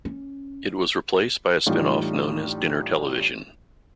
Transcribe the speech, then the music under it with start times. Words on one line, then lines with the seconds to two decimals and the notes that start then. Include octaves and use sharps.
It was replaced by a spin-off known as Dinner Television.
0.05 C#4
1.67 A2 E3 G3 D4 D#4 F4